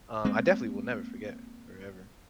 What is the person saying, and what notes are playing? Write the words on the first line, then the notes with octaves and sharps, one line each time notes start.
uh, I definitely will never forget her, ever,
G#3 A#3 C4